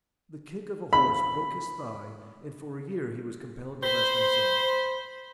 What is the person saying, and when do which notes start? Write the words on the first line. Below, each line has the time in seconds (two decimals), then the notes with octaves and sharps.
The kick of a horse broke his thigh, and for a year he was compelled to rest himself.
0.93 B5
3.83 C5 B5